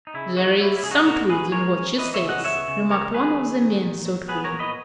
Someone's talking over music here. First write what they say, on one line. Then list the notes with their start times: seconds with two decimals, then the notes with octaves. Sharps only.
"There is some truth in what she says," remarked one of the men, thoughtfully.
0.07 D#4
0.14 C#3 E4
0.37 A#3 D#4 F#4
0.60 A#3 E4
0.76 E4
0.83 C#3 G#4
0.91 D#4 F#4
1.06 A#2 F#4 A#4
1.29 A#2 G#4 B4
1.52 G#3 A#4 C#5
1.76 C#4
1.98 E3 B4 D#5
2.14 C#5 E5
2.22 C#3
2.29 D#5 F#5
2.44 B3 C#5 E5
2.68 C#3
2.90 B3 A#4 C#5
3.14 D#3 G#4 B4
3.37 F#3
3.60 D#3
3.83 A#2
4.06 F#3
4.28 B3 G#4 B4
4.44 A#4 C#5
4.52 A#2
4.59 B4 D#5